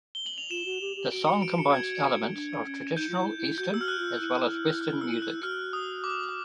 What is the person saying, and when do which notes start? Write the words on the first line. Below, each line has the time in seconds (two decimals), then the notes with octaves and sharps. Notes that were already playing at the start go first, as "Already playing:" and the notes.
The song combines elements of traditional Eastern as well as Western music.
0.15 G7
0.26 F#7
0.38 F7
0.50 F4 E7
0.65 F#4
0.81 G4
0.96 G4
1.12 F#4 D7
1.27 C#7
1.42 D7
1.58 C#7
1.73 G#6
2.35 D4
2.65 C#4
2.96 D#4 G6
3.09 F4
3.17 E4
3.38 E4
3.58 F#4 G6
3.69 G4
3.74 E6
3.79 F#4 F6
3.88 F#6
3.99 F4
4.19 E4
4.81 F6
5.01 E6
5.22 F#6
5.42 F#4 F6
5.73 D#6
6.04 D6